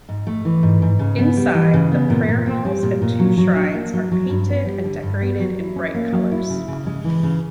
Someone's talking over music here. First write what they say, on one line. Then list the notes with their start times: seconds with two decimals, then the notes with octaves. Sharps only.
Inside, the prayer halls and two shrines are painted and decorated in bright colours.
0.09 G#2
0.27 A3
0.45 E3
0.63 G#2
0.82 G#2
0.99 C#3
1.19 B3
1.37 G3
1.54 E3
1.74 C#3
1.92 B3
2.10 A#2
2.29 A#2
2.46 C4
2.65 G3
2.83 A#2
3.02 A#2
3.19 F#3
3.37 F#3
3.56 D4
3.74 A#3
3.93 F#3
4.12 F#3
4.29 G2
4.49 B3
4.66 G3
4.84 D3
5.03 G2
5.22 B3
5.39 F#3
5.58 E4
5.76 C#4
5.94 A#3
6.12 F#3
6.32 E4
6.50 C#3
6.68 C#3
6.86 G#3
7.04 E3
7.23 C#3